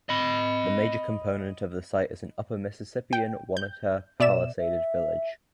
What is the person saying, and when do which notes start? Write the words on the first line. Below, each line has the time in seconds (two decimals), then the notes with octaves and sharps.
The major component of the site is an Upper Mississippian Oneota palisaded village.
0.09 D#5 B5
3.13 G5
3.57 G6
4.20 B2 D5 E5 E7
4.60 E5